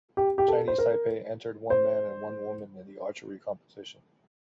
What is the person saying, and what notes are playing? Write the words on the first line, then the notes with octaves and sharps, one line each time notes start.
Chinese Taipei entered one man and one woman in the archery competition.
G4
G4
A4
C5
A#4
C5